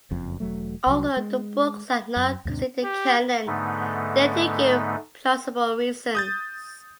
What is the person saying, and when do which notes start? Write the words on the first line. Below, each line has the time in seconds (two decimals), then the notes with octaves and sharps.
Although the books are not considered canon, they do give plausible reasons.
0.11 F#1 F2
0.40 E1 F#3 A3
0.87 C2 F#3
1.17 G#3
2.16 F#2
2.45 D#2 G#2 C3 D4
2.83 G4
3.47 G#2 D3 A3 B3 D#4
6.15 D#6 G6 A6